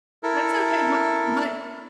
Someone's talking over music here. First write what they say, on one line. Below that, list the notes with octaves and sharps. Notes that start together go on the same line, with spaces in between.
That's okay. My my m
E4 A4 A#4